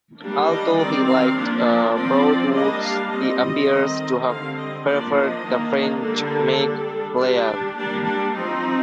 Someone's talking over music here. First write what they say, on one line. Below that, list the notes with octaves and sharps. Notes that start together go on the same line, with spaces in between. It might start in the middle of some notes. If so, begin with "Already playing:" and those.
Although he liked Broadwoods, he appears to have preferred the French make Pleyel.
G3 A#3 D4
D#5
D#3 G3 C4 D5
F5
F3 A#3 D4
F3 C4 D5
G3 A#3 D4 D#5
F5
G3 C4 D#5
D#3 A3 C4
D3 G3 C4 F5
D#5
F3 A#3 D4 D5
D#5
D#3 A#3 D4
D#5
D3 G3 A#3 D4 A4
G3 D4
G3 D4 G4
G3 A#3 D4 G4
D4
F3 C4 D#4